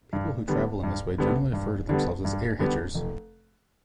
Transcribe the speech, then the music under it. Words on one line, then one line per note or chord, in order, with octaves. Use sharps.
People who travel in this way generally refer to themselves as Airhitchers.
G2
D3 G3 B3
G2
D3 G3 B3
G2
D3 G3 B3
G2
D3 G3 B3
F1